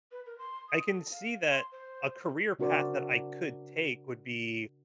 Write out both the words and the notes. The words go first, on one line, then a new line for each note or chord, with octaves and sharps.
I can see that a career path that I could take would be,
B4
A#4
C6
D#6
A4
F5
C6
C5
C#3 D4 F#4 A#4 C5 D5